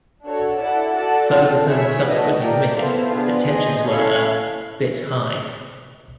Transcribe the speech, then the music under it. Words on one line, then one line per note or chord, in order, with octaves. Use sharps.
Ferguson subsequently admitted that tensions were a "bit high".
D4 F#4 A4 C#5
E4 A4 D5 F#5 A5
F#4 A4 D5 F#5 A5
C4 F4 A4
E4 G#4 C#5 E5
A3 D4 F#4 B4 D#5
G4 A#4 D5 G5
B3 E4 A4 C5 F5
B3 D4 F4 G#4 B4
G#4 C5 D#5
C#4 E4 A4 C#5 F5